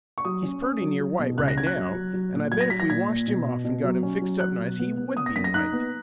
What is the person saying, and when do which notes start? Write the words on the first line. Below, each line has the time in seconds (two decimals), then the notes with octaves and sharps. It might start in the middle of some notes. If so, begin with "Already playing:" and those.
He's perty near white right now, and I bet if we washed him off and got him fixed up nice he WOULD be white.
0.18 C#6
0.25 F#3 D#6
0.43 C#4
0.62 C#4
0.81 F#3
1.00 F#3
1.19 B2
1.38 C#2 F#6
1.48 A#6
1.57 C#4 G#6
1.67 F#6
1.76 F#3
1.95 F#3
2.14 F#3
2.33 A#2
2.52 F#3 G#6
2.61 A#6
2.70 F#3 B6
2.80 A#6
2.89 A#2 G#6
3.08 A#2
3.27 B2
3.46 B2
3.65 B2
3.84 F#3
4.03 C#4
4.22 F#3
4.40 F#3 F#6
4.59 B2
4.79 B3
4.97 B3
5.17 B3 D#6
5.26 A#6
5.36 F#2 B6
5.44 A#6
5.54 D#4 F#6
5.73 B3